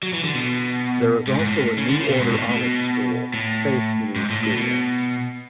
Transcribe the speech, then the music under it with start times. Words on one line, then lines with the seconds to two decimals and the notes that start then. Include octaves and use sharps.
There is also a New Order Amish School, Faith View School.
0.03 F#3
0.13 E3
0.24 D3
0.34 B2
1.27 G#2
1.39 G#2
1.47 A2
1.78 C#3
1.89 D3
2.00 C#3
2.09 B2
2.20 G#2
2.30 A2
2.51 B2
3.34 A2
4.16 G#2
4.30 A2
4.43 A2
4.57 B2